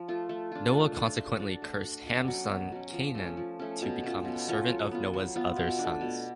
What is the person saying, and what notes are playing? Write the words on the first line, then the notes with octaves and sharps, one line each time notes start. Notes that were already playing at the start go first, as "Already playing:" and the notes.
Noah consequently cursed Ham's son Canaan to become the servant of Noah's other sons.
Already playing: F3
A3 F4
A3
D4 F4
A3
D4 F4
A3
D4 F#4
A3
D4 F#4
B2
F#3 C#4
B2
F#3 C#4
F3
A3 C#4
F3
A3 C#4
B2
A3 C#4 F4
B2
A3 C#4 F4
F#3
B3 F4
F#3
B3 F4
B2
A3 D4
B2